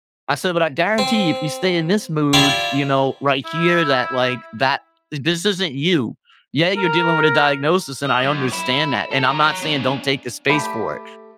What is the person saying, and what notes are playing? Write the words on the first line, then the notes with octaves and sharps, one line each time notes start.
I said, "But I guarantee you, if you stay in this mood, you know, right here, that, like, that this isn't you. Yeah, you're dealing with a diagnosis, and I understand that, and I'm not saying don't take the space for it.
C4
E4 F4 G4 D5
E4
A#4
D#5
F#2
E4
A4
C#5 A#5
B3 D4
A3 G4 B5